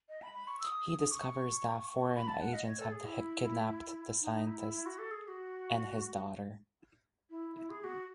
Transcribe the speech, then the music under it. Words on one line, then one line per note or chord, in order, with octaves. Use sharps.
He discovers that foreign agents have kidnapped the scientist and his daughter.
D#5
B5
B5
C#6
E6
D#6
D#6
C#6
C#6
B5
A5
F#5
D#5
C#5
A4
G#4
E4
D#4
D#4
E4
E4
E4
F#4
A4
G#4
G#4
F#4
E4
E4
G#4
G#4
F#4